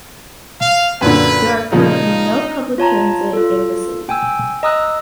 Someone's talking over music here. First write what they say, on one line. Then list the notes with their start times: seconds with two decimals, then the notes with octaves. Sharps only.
There are currently no public transit in the city.
0.61 F5
1.01 F#2 A#2 D3 B4
1.72 A#2 C#3 F3 D#4
2.78 F4 C#5 A5 A#5
3.33 F4 A4
4.09 G5 G#5 E6
4.63 D#5 A#5 D#6 E6 F#6